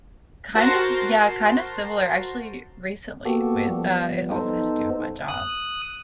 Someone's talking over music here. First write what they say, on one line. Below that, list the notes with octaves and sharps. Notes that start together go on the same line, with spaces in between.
Kind of yeah, kind of similar, actually, recently, with, uh it also had to do with my job.
F#4 A#4 C5 A5 A#5 C6
A#3 B3 F#4 G4 A4
F3 G3 B3
B3 D#4 A4 C5
D#6 F#6